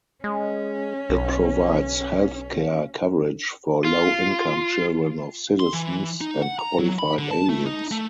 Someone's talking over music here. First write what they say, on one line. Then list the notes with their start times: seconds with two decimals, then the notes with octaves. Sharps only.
It provides health care coverage for low-income children of citizens and qualified aliens.
0.24 G#3 C#4
1.09 B1
3.85 F4
5.60 C6
5.73 E3
6.21 D#4
6.42 F#5
6.59 A#5
6.79 F#3
6.99 B5
7.19 D3
7.31 A5
7.49 A3
7.66 D#4
7.92 A3